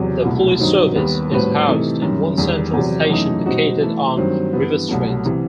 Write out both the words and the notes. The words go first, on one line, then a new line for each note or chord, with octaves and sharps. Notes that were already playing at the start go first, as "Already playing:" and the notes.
The police service is housed in one central station located on River Street.
Already playing: E2 C3 F#3
C2 B2 A3 E4
G2 D#3 F#3 C4 D#4
D#2 D#3 G3 B3
A2 G3 C4 F#4 B4
C3 E3 A3 D#4 A4
F#2 D#3 G3
E2 D#3 G3
E2 C3 F#3
F#2 E3 A3 D#4
B2 G3 C4 D#4 F#4
E3 A3 E4
G2 D#3 F#3 C4
G2 E3 B3
C2 B2 F#3 A3
C3 E3